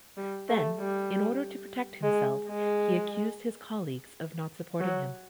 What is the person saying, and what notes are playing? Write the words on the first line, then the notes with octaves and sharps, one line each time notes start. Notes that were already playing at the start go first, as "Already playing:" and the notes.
Then, in order to protect himself, he accused his colleagues of not supporting him.
G3
A3
G3
G#3
G#3
F#3